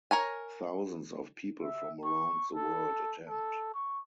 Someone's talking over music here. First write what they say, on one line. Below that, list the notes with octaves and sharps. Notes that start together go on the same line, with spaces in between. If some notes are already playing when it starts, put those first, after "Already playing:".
Thousands of people from around the world attend.
A#4 C#5 G#5
E5
C#6
A4
A4
C#6